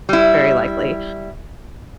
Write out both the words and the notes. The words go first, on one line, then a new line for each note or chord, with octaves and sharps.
very likely.
G3 E4